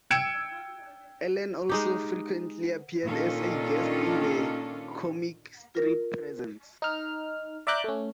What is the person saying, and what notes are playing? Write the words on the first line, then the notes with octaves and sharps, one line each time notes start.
Allen also frequently appeared as a guest in "The Comic Strip Presents".
G5 E6 G#6 C#7 D7 E7
G#3 D#4 G4
A#2 D#3 C#4 D4 F4 A4
F4 A#4
D#4 F6
D5 E5 A#5 D6 F#6 G6
A3 C#4